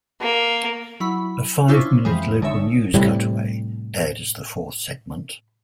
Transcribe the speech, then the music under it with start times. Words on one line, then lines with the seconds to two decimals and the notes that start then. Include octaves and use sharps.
A five-minute local news cutaway aired as the fourth segment.
0.21 A#3
1.00 F#3 E4 B5
1.68 C#4 D4 E4 F4 C5
2.05 F2 C3 E3 F3 G#3
2.42 G1 D3 G#3 D#4 C#5 E5
2.94 A2 C3 G3